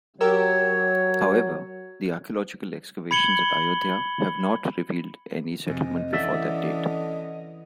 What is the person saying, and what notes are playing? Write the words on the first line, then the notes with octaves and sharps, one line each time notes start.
However, the archaeological excavations at Ayodhya have not revealed any settlement before that date.
F#3 G4 A#4 C#5 E6
B5 G#6 C#7 F#7 G7
F2 C3 G#3 D#5
D3 E3 C#4 D5 E5